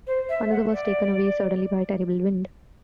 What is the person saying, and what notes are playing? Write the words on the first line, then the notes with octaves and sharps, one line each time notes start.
Another was taken away suddenly by a terrible wind.
C5
E5
F#5
D5